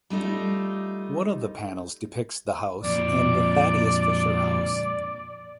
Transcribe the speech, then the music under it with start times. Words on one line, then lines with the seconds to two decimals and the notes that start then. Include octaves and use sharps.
One of the panels depicts the house and the Thaddeus Fisher House.
0.10 G3 A3 D#4 F4
2.84 F2 A#2 D5